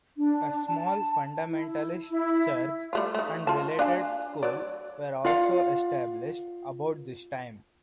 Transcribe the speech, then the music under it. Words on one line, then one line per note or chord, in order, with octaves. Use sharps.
A small fundamentalist church and related school were also established about this time.
D4
A5
E4
E4
G3 A3 F4
D#3 A3
F4 A5
D4 F5 G#5
F#3 D5
F4 D5 F5 F#5